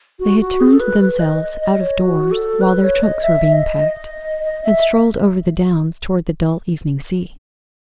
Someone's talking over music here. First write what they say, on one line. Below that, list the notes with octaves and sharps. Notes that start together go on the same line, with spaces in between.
They had turned themselves out of doors while their trunks were being packed, and strolled over the Downs towards the dull evening sea.
F#4
F#4
G#4
A4
B4
B4
D#5
D#5
C#5
F#4
A4
B4
C#5
D#5
E5
D#5
D#5
E5